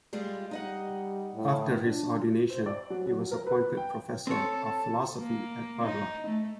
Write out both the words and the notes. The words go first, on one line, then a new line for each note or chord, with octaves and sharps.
After his ordination he was appointed professor of philosophy at Padua.
G3 G#3 F4
G3 D#4 D#5 F#5
A2
D4
C5
D5
F#3
F#3
F#3
A#4
B4
G5
C4 A4 C#5
A#3
D#4
A3